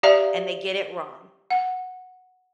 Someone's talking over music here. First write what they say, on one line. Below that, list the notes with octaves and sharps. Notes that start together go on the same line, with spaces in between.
and they get it wrong,
G4 D5 E5 F5 A#5
F#5